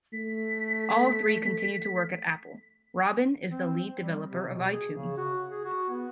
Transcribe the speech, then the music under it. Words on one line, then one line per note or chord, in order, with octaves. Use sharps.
All three continue to work at Apple; Robbin is the lead developer of iTunes.
A3 B6
C4
G3
C3
B2
G#4
C#3
F#4
G#4
F#4
B3